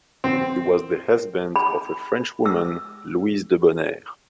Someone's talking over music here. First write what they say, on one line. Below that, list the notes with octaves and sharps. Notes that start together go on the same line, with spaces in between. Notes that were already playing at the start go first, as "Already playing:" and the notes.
He was the husband of a Frenchwoman, Louise Debonaire.
C4
B5
E6